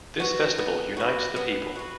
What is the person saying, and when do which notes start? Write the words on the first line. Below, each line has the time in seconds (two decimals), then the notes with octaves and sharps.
This festival unites the people.
0.20 F#4 B4
0.58 B3
0.97 F#4 B4
1.36 B3
1.75 F#4 B4